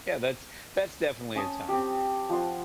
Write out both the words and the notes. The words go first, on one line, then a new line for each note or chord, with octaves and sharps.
Yeah, that's that's definitely a time.
C#4 G#5 A5 D#6
C4 G4
F3 F#5 C6 C#6